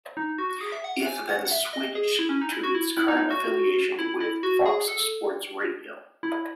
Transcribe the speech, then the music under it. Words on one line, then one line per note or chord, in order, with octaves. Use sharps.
It then switched to its current affiliation with "Fox Sports Radio".
D#4
F#4
F#4
G#4
E5
F#5
G#5
F#5
F#5
E5
D#5
G#4
E4
C#4
D#4
E4
F#4
E4
E4
D#4
F#4
E4
E4
F#4
G#4
A4
E4